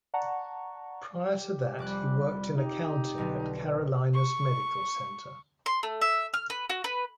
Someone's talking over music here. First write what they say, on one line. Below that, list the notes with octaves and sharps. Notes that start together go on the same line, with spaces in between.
Prior to that he worked in accounting at Carolinas Medical Center.
D5 F#5 A5 A#5 C#6
G4
F1 G3 D6 F#6
D#4 G4
B1 B2 D3
C#6
C6
A3
E5
F6
B4
F#4
B4